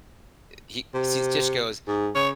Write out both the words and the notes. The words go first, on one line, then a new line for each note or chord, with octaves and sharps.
uh, he sees just goes
C3
G#2
C#3 C#5